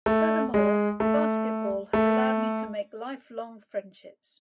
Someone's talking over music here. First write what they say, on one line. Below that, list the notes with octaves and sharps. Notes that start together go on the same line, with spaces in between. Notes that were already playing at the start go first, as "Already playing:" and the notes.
Furthermore, basketball has allowed me to make lifelong friendships.
A3
G#3
A3
A3